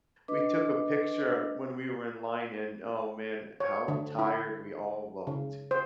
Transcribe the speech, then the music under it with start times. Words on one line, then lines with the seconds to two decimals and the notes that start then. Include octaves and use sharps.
we took a picture when we were in line, and oh man, how tired we all looked.
0.28 D4 B4 D#5 D6
3.60 C#5
3.88 D3
4.19 E4
5.27 C#3
5.71 C5